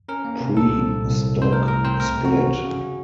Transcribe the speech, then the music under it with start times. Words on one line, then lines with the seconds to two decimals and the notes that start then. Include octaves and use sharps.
Pre stock split.
0.09 C#4 A#4
0.25 A#3
0.41 C3
0.57 C2 A4
0.73 C2
0.88 A#2
1.05 C2
1.21 C2
1.36 C2
1.42 C5
1.52 A2 A#4
1.68 A2 A#4
1.84 C4 C5
2.00 A3 A#4
2.17 C3
2.25 F#4
2.32 C#4
2.48 C#3
2.64 C#3
2.81 C#4